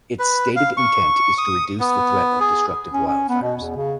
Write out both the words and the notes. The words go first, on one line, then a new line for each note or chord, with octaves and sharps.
Its stated intent is to reduce the threat of destructive wildfires.
B4
F5
C#6
D#6
B3
G#4
C#4
C#4
B3
B2
E2
C#3